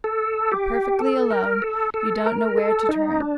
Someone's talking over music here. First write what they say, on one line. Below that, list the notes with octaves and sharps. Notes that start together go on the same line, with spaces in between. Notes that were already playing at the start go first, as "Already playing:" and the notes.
You're perfectly alone; you don't know where to turn.
A4
G4
A4
A#4
A4
A4
A#4
A4
D#4
D4